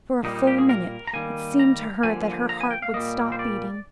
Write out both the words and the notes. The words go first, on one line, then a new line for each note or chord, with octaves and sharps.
For a full minute it seemed to her that her heart would stop beating.
A#2 G3 A#3 D#4
D#4
G4
G#4
A#4
A#5
D#3 G3 A#3 G#5
A#5
D3 F3 A#3 G#5
A#5
G#5
G5
F5
A#2 G3 A#3 D#5
C5
D5